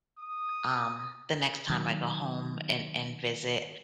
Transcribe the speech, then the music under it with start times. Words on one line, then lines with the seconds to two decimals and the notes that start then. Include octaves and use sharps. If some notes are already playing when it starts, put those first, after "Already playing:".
um, the next time I go home and and visit.
0.19 D#6
1.70 D#3 F#3